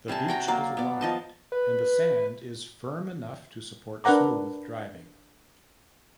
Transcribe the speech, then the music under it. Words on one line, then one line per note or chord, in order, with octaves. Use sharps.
The beach is wide and the sand is firm enough to support smooth driving.
C3 G3 G#5 A5
F#4 G5 A#5
F#3 A#3 D5 F5
B3 D5
F3 D#5 A5
B4
D4 A#4 B4 F#5 A#5 D6